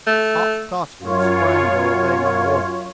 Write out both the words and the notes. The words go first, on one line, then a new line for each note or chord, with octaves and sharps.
Hop Tossford sprang to obey my order.
A3
F#2 F4 C#5